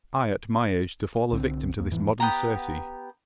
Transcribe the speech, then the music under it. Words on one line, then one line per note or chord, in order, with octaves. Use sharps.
I, at my age, to fall a victim to this modern Circe!
C2 D3 C4
D#2 A#3
F2 G#2 E3 F3
B3 G4 F#5 A#5